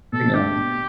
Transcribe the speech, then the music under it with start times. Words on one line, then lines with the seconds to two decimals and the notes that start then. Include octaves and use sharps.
you know?
0.12 B2 A4
0.34 A3 D4 G4
0.56 B2